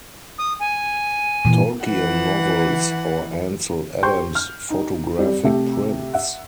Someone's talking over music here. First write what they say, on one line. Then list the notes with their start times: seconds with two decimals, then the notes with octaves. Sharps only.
Tolkien novels, or Ansel Adams photographic prints.
0.38 D#6
0.60 G#5
1.45 A#2 E3
1.85 E3 F#5
4.02 G4 C5 G5 C6 C#6 G6
4.35 F6
4.70 D#4
5.19 G3 C4 G4
5.44 C3 A3 G4 E5
6.13 E5 F#5